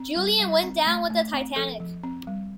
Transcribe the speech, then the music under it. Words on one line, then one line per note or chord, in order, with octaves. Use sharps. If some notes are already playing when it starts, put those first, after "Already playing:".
Julian went down with the "Titanic".
Already playing: C4
G3
G3
C4
A3
A3
C4
F3 A4
F3
C4
G3